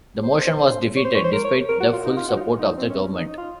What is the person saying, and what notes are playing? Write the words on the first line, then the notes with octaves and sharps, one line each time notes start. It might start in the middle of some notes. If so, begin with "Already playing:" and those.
The motion was defeated, despite the full support of the government.
C5
C#5
C5
C#5
C5
A#4
C#5
A#4
F#4
F4
D#4
F4
F#4
D#4
F4
D#4
C4
C#4
C4
C#4
D#4
D#4
F4